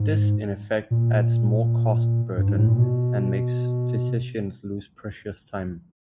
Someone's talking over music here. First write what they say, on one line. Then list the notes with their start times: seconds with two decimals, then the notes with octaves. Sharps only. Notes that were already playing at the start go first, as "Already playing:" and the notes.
This in effect adds more cost burden and makes physicians lose precious time.
Already playing: G#2
0.91 A#2
2.37 G2
2.48 G#2
2.58 A2
2.67 A#2
2.78 B2